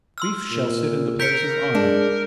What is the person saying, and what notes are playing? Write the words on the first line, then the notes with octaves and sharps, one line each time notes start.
"Leif shall sit in the place of honor."
C6 E6 F6
A#2
A#4 G6 B6 C#7
G#3 D4